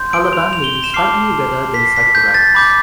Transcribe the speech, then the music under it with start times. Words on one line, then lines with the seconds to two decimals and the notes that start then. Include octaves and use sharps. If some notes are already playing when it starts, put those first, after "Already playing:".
Caliban may be slightly redder than Sycorax.
Already playing: C6 G6
0.13 D7
0.33 F7
0.53 F7
0.64 G7
0.73 F7
0.84 E7
0.94 A5 D6 F6 C7
1.74 B6
1.85 C7
1.97 B6
2.15 G6
2.34 A6
2.55 B5 D6 G6